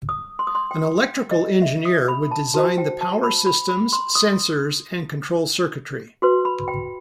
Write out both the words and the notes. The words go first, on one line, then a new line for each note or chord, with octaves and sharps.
An electrical engineer would design the power systems, sensors, and control circuitry.
D#6
C6
D#6
C6
G5
G5
D#5
E5
D#6
B5
A5
F#4 C5 A5
G5
A5
B5
B5
B5
C6
D#6
F#4 B4 C6
B5
G5